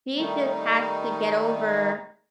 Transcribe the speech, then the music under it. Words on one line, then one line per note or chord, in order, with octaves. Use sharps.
she just has to get over
D#3 G3 A3 D#4